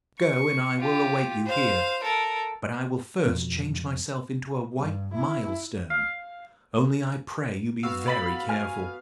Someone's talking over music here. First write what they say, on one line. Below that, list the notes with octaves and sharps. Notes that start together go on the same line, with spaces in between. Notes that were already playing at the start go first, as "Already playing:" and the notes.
Go, and I will await you here, but I will first change myself into a white milestone; only I pray you be very careful.
C#6
F4 G4
C5 F5
A4 A#4
E1 F2 B2 C4
G2
E4
F5
B3 F#4 F5 E6
B5 A6 B6
G#5 F6